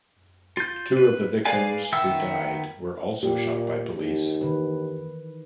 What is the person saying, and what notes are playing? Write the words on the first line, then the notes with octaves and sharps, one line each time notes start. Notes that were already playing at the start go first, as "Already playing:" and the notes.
Two of the victims who died were also shot by police.
F4 G6
B4
G#4 B4 D5 F5 G#5
D#3 B3 E5 G5 E6
A#2 G4
D#2
D#3 E3 B4